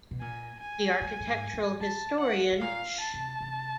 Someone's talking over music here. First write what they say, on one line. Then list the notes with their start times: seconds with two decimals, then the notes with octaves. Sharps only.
The architectural historian Sh.
0.11 B2
0.21 A#2 G#5
0.60 G#5
1.01 A2
1.20 A2
1.27 G#2
1.53 G#2
1.80 A2 A5
2.20 F#5
2.52 A2
2.60 A#2 F5
3.00 A5
3.14 C3
3.41 C3